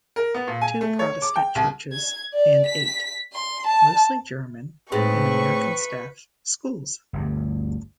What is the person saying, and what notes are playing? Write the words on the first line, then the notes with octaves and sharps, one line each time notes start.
Two Protestant churches and eight, mostly German- and American-staffed, schools.
A#4
B3
A#2
G#5
A3
C#5
D6
G5
C2
G#6
D5
B6
C6
A5
A2 G#3 C4 D#4 B4 B5 C#6
G1 D2 G2